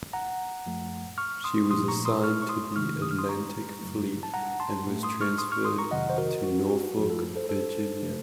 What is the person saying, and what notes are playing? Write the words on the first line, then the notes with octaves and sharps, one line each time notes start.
She was assigned to the Atlantic Fleet and was transferred to Norfolk, Virginia.
F#5 A#5
F#2 F3 A3
C#6 F6
C6 D#6
A#2 F3 A3 C6 D#6
A#5 C#6
C6 D#6
C#6 F6
C#6
C6 D#6
C3 D#3 A3 C#6 F6
D#6
F6
C6 D#6
A#5 C#6
F#2 C#3 F#3 A3
A5
F#5 A#5
A5 C6
A2 A3
C6 D#6
C#6 F6
C6 D#6
C#6 F6
C6 D#6
A#5 C#6
F2 C3 D#3 F#3 D#5 F#5
C5
F#4 A#4
F#4
F#4
F#2 F3 A3 F#4
F4 A4
A4 C5
A4 C5
C#3 F3 A3